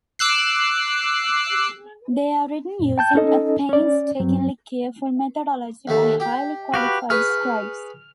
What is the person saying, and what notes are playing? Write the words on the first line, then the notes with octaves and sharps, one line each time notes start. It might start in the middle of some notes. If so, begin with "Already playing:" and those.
They are written using a painstakingly careful methodology by highly qualified scribes.
D6 E6 F#6 C7
F#2 A#2
G5 A5 G6
C#4 D#4 A4 D#5
C#4 D5
G2 F#3 C4
D#2 A3
G4
F#4 G4 B4 F5
G#4 B4 C#6 F6